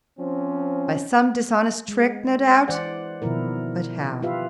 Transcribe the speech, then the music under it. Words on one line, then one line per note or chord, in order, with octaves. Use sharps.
By some dishonest trick, no doubt--but how?
F3 C4 C#4
G#3
E3 C5 D5 F#5
B2 D#3 F3 E4 A#4
F4 G4 B4 E5 F5